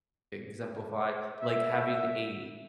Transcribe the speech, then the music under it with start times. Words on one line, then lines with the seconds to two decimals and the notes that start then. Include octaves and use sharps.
exemplify, like, having a
1.41 E5